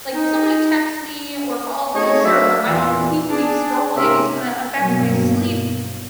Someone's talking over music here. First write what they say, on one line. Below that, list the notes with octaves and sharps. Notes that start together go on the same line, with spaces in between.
like, if somebody texts me or calls me, sure, but I don't need to be scrolling, it's gonna to affect my sleep
D#4
A3 D#4 F#4 G#4 C#5
F#3 A3 D4 C5 E5
E2 A#2 E3
D4 G#4
G#2 C3 C#4 A#4 E5
G2 B2 F#3 A#3